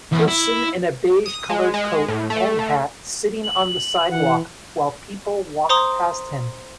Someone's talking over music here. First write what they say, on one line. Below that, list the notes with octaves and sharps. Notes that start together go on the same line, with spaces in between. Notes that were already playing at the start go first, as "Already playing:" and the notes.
Person in a beige colored coat and hat sitting on the sidewalk while people walk past him.
E2
E4
D#6
G#3
G#3
A2
A3
A3
F#7
E3 F#5
C5 A#5 C6 D#6